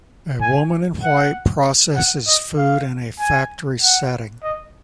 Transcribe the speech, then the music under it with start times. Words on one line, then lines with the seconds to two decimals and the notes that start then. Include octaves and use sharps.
A woman in white processes food in a factory setting.
0.41 G#5
1.03 F#5
1.95 F#5
2.27 D#5
2.58 F5
3.19 G#5
3.82 F#5
4.43 D#5